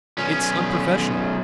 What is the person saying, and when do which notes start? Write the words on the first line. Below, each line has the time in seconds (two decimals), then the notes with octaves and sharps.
"It's unprofessional."
0.18 B1 C#4